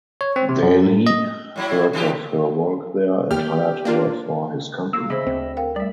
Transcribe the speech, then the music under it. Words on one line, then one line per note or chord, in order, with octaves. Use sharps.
Daly heard of her work there and hired her for his company.
C#5
C4
C3
F#2
A2
D#5
A2 F#3 E4
D3 E3 G4
D#2 G4 F6
A#3 D4 F4
A#3 F4 F5 E6
C#3 G#4 C5 D#5 E5 B5
D2 C4
A#4 F5 G5
G3 A3 D5 E5